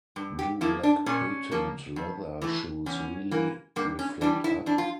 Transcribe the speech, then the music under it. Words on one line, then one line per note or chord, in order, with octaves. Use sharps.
Do Black Patent Leather Shoes Really Reflect Up?
G2
G4
F3 A#3 E4
D4
A#2 C#4
F3 A#3
F2
E3 A3
E2 C#4
E3 A#3
G2 A#3
C#4
E3 G3 D4
E4
F2 D4
F4